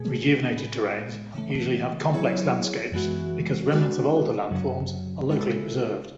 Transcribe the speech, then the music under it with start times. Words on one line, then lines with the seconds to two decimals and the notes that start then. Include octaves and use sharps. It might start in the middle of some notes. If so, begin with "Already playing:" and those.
Rejuvenated terrains usually have complex landscapes because remnants of older landforms are locally preserved.
Already playing: B2 A3 G#4
0.55 A2 G#3 B3
1.34 C#3 E3 A3
2.13 F#3 B3 E4 G#4 C#5
2.92 F#2 E3 G#3 B3 F#4
3.71 G#3 B3 D4 F#4 A4
4.51 F#2 C#3 F#3
5.29 C#3 G#3 B3 E4 A4